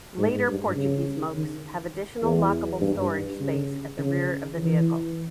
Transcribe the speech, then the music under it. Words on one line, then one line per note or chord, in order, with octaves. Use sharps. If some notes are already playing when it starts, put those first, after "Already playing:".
Later Portuguese Mokes have additional lockable storage space at the rear of the vehicle.
G#2
G2
C#3
D#3
E2
G2
C#3
C#3
E3